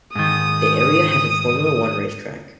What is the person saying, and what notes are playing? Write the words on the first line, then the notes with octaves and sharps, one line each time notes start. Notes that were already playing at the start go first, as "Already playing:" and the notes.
The area has a Formula One racetrack.
G#2 D#3 D#6